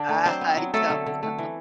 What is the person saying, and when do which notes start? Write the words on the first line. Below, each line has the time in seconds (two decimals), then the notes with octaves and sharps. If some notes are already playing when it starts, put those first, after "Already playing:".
Uh, I don't know.
Already playing: D3 D4 D5
0.09 A3
0.26 F#3 C4 C5
0.41 B3
0.57 F#3
0.74 F#3 A3 A4
0.90 D3
1.06 D3
1.23 A3
1.38 E3